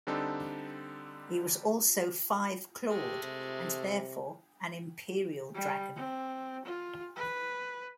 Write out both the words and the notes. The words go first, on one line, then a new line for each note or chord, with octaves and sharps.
He was also five-clawed and therefore an imperial dragon.
D3 G3 C4 D4 D#4 A4
G#3 A3 G4
C3
G3
C4
F4
B4